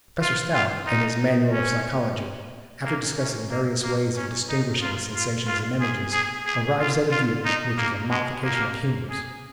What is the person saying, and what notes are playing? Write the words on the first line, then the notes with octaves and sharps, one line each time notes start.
Professor Stout, in his "Manual of Psychology," after discussing various ways of distinguishing sensations and images, arrives at a view which is a modification of Hume's.
F4
F4
D#4
C#4
A#3
C#4
A#3
A#3
C#4
D#4
F4
F4
F4
G#4
G#4
G#4
F4
F4
D#4
A#3
G#3
A#3
G#4